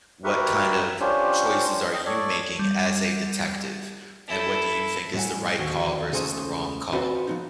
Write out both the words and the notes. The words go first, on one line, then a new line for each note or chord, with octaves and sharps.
what kind of choices are you making as a detective, and what do you think is the right call versus the wrong call.
F#4 G4 A#4 B4 E5 F#5
C#4 D4 F4 G4 C5
D#5 G5
A4 C#5 D5
G3
E4 A4
A2 G3 E5 F#5 G#5
D#2 D3 F#4
C#2 C#3 A3 G#4 C5 G#5
C4 F4 F#4 B4 C5 D5
F3 B3 D#4